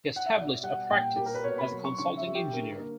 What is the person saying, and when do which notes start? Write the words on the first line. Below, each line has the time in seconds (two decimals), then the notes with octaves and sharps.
He established a practice as a consulting engineer.
0.16 F#5
0.26 E5
0.36 B2 D5
0.63 G3 F#5
0.90 A#2 G5
1.16 A#3 G4
1.26 A#4
1.34 B4
1.44 B2 C#5
1.58 B5
1.71 F#3
1.85 C#6
1.98 C#3 C#6
2.17 E5
2.26 G3
2.35 G4
2.52 D3 A#4
2.71 A#4
2.79 A#3